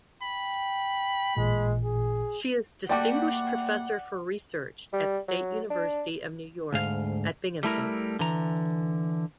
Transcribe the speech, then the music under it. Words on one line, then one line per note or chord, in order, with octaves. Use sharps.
She is Distinguished Professor for Research at State University of New York at Binghamton.
G5 B5
A1 A#2 G#3
G#4
G3 A3 A#3 F#4 D5 F#5 G5 D6
G3
F#3
D4
D2 G#2 F5
G3 A3 E4 A#4
D3 E3 A#5